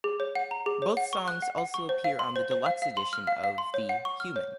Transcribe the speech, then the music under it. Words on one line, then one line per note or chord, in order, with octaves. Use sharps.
Both songs also appear on the deluxe edition of the "Human".
G#4
C#5
F#5
A#5
G#4
C#5
F#5
C#6
F#6
F#5
F#5
C#6
C5
F5
C6
C5
C5
F5
F5
C6
F6
F5
F5
C6
C#5
F#5
C#6
F6
C#5